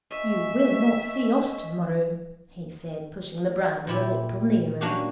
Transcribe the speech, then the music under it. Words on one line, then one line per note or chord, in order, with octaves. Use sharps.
'You will not see us tomorrow,' he said, pushing the brandy a little nearer.
D#5 E5 G#5 C#6
A#2 E4 G4
F#3 A#3 C#4 D4 F#4 G4